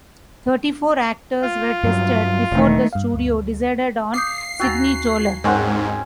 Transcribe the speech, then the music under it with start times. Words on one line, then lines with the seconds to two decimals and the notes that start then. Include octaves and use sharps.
Thirty-four actors were tested before the studio decided on Sidney Toler.
1.42 F4
1.83 G2 F#3
2.52 E1 D#3 A3
2.93 G2 F5
3.14 D2
4.14 F5 D6 D#6 G6 C7
4.60 D#2 F#4 G#5 A#5 E6 A6
5.44 G#2 C4 C#4 A#4 C5 F#5 F#6